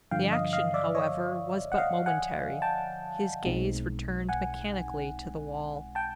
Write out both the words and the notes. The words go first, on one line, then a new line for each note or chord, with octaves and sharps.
The action, however, was but momentary, his gaze returned mechanically to the wall.
G2 D3 F3 F5 G5
D#5 F5
D#5 F5
D5 E5
C#5 D#5
F#5
D#5 F5
F#5 G#5
G5 A5
B1 B2 G#3 C4 D#4
F#5 G#5
G5 A5